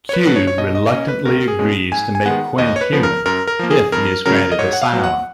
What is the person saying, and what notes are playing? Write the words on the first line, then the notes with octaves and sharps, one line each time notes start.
Q reluctantly agrees to make Quinn human if he is granted asylum.
C#5
B4
B2 F#3 B4
C#5
C#5
B2 D#5
D#5
A#3 C#4 D#5
B4
C#2 A#4
G#4
B2 G#3 C#4
G#2 G#5
G#5
D#3 G#3 B3 F#5
D#2 D#5
C#5
B4
C#3 F3 B3
A#4
F#2 A#4
A#4
F3 A#3
G#4
F2 A#4
C#3 F#3 C#4 A#4
D#5
G#2 C#5
F#5
F5
F#3 B3
F#5